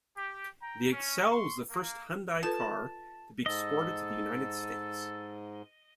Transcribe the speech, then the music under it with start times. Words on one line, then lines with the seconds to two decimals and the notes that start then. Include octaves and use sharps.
The Excel was the first Hyundai car to be exported to the United States.
0.16 G4
0.62 G5 A#5
0.93 C#4
1.30 C6 C#6
1.70 A#3
2.43 F4 A4 B4 A5
3.46 G#2 A4 D#5